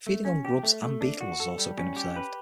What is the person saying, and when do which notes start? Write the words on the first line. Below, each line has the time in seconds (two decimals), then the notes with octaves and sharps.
Feeding on grubs and beetles has also been observed.
0.07 A3
0.25 C#4
0.45 G4
0.63 A3
0.83 A3
1.01 D4
1.21 F#4
1.40 A4
1.58 G3
1.78 C#4
1.96 G4
2.16 B4